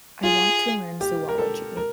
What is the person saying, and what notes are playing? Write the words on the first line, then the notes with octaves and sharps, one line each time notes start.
I want to learn Zoology.
F4 G#4
G4
A#4
A4
A#4